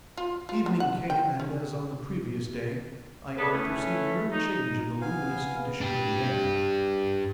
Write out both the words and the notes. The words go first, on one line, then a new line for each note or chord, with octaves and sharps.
Evening came, and, as on the previous day, I perceived no change in the luminous condition of the air.
F4
F4
B3
F#5
G5
C#4
C#3 B3 D4 G#4 A4 B4
E3 A3 C#4
D#4
B3 F5 G#5
D4 G4